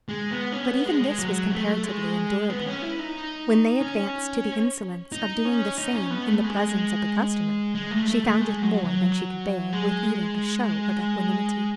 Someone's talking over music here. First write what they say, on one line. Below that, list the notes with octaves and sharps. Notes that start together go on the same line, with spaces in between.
But even this was comparatively endurable: when they advanced to the insolence of doing the same in the presence of the customer, she found it more than she could bear with even a show of equanimity.
G#3
B3
C#4
B3
G#3
G#3
F#3
A3
G#3
B3
C#4
E4
D#4
C#4
D#4
C#4
D#4
C#4
B3
A3
G#3
G#3
A3
A3
A3
G#3
F#3
F#3
G#3